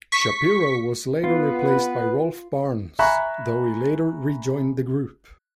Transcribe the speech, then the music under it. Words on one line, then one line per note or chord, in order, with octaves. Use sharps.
Shapiro was later replaced by Rolf Barnes, though he later rejoined the group.
C#6 B6
B3 F4 B4
E5 G#5 A#5 B5 C#6 F#6